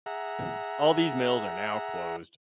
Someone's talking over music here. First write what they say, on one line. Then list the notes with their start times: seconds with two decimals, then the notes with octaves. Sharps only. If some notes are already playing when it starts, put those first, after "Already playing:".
All these mills are now closed.
0.06 G#4 E5 F#5 A#5